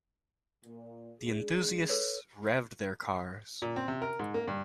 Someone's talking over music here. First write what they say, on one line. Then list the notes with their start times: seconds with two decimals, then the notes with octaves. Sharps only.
The enthusiasts revved their cars.
0.65 A#2
1.21 G#3 D4 G#4
1.89 A4 B4 C#5
3.62 A#2
3.76 C4
3.88 C3
4.02 A#4
4.19 G#2
4.34 A#3
4.47 G2